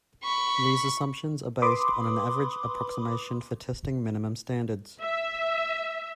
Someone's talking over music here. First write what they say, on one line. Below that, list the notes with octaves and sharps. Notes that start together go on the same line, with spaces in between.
These assumptions are based on an average approximation for testing minimum standards.
B5 C#6
B4 B5 C6 D6 D#6
E5